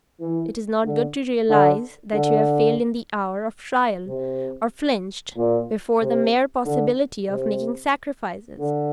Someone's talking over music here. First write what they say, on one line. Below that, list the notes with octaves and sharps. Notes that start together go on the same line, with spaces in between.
It is not good to realise that you have failed in the hour of trial or flinched before the mere possibility of making sacrifices.
E3
D3
D3
D3
C3
A#2
C3
D3
C3
D3